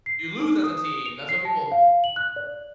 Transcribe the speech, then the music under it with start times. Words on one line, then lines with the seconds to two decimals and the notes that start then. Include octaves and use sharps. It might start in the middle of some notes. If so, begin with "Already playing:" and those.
You lose as a team, that's why people m
0.06 C7
0.40 D#4
0.64 D#6
1.06 F7
1.29 C7
1.45 A5
1.72 F5
2.04 F#7
2.16 F#6
2.36 D5